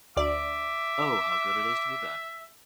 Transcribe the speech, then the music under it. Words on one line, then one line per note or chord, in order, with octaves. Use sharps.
Oh, how good it is to be back!
D2 D5 E5 D6